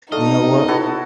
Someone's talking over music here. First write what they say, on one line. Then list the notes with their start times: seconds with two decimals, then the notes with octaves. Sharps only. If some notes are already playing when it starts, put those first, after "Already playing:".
"You know what?
0.12 D3 A3 D#4 A4 D#5 F5
0.68 B2 E4 F#4 A4